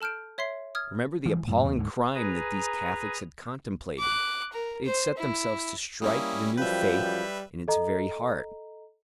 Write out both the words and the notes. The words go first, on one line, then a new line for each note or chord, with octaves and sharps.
Remember the appalling crime that these Catholics had contemplated; they had set themselves to strike the new Faith in its very heart....
A4 A5 F6 G6 D7
C#5 E5 C6 C7
D#6 F6 G#6
E3 F3 G3 G#3
F#2 A2
E2
D2 G#2 D3
G#4 B4 G#5 A#5
D6 F#6
A#4
C5
E4
G3 A#3 C#4 E4 D#6
F#2 F3 G3 B4 E5 G5
G3
A4 D#5 A#5